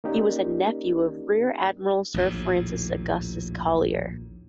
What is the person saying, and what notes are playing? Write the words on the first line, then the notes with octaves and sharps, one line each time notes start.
He was a nephew of Rear-Admiral Sir Francis Augustus Collier.
A#3 C#4 D#4 G4 A#4 D5
A#1 D#2 A2